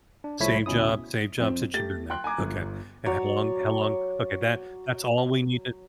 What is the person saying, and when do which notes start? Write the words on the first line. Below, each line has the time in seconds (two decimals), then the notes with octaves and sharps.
Same job same job since you've been there. Okay. And how long how long, okay. That that's all we need t
0.24 D4
0.40 C2 F3 A3 E4 C#5 B6
0.66 D2 B2 C#4 E4 D#6
1.38 F2 C4
1.74 A3 G4 A6
2.10 G5 C6 F#6
2.24 G#5 A#5 D6 G#6
2.38 G1
3.06 F#3 C#5 D5